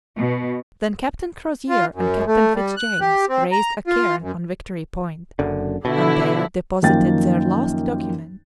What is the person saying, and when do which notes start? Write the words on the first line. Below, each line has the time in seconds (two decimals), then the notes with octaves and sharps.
Then Captain Crozier and Captain Fitz-James raised a cairn on Victory Point, and there deposited their last document.
0.16 B2
1.69 F4
1.95 F#2
2.27 A3
2.55 G3
2.77 F#6
3.01 G4
3.29 C4
3.52 A#5
3.87 F4
4.22 F#2
5.39 F#1 F#2 D3
5.85 B2 D3 E4
6.83 F#2 D#3 F3 A#3 G5 A6